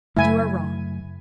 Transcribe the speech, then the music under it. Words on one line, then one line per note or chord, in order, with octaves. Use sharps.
"And you are wrong."
F#2 C#3 A3 E4 G#5